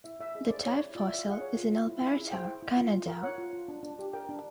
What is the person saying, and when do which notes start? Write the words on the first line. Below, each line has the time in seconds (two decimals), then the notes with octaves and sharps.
The type fossil is in Alberta, Canada.
0.04 E4 E5
0.20 E4 E5
0.35 G#4 D#5
0.50 C5 D5
0.65 E4 C#5
0.80 E4 D5
0.95 F4 D5
1.07 E5
1.11 F4
1.18 F5
1.26 G#4 F#5
1.41 C#5
1.56 F4
1.72 F4
1.87 E4
2.01 E4
2.17 G#4
2.31 C5 G5
2.47 E4
2.62 E4
2.77 F4
2.93 F4
3.07 A#4
3.23 C#5 F#5
3.38 F4
3.53 F4
3.68 D4
3.83 D4
3.99 G4
4.13 A#4 G5
4.29 D4